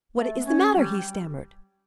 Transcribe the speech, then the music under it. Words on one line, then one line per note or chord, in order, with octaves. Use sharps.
"What is the matter?" he stammered.
A3
B3
C#4
G3